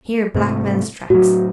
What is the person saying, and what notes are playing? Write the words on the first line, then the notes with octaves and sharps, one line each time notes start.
Here black man's tracks.
G#2 C3 A3
A2 F#3 F#4